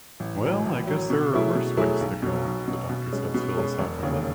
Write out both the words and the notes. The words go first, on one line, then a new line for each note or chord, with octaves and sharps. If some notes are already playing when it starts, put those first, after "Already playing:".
"Well, I guess there are worse ways to go," the doctor says philosophically.
A1
A2 F#3
A1
A2 F#3
B2
F#3 A3 E4 G#4
B2
F#3 A3 E4 G#4
B1
B2 F#3
B1
B2 F#3
B2
G#3 C#4
B2
G#3 C#4
E1
D#2 C#3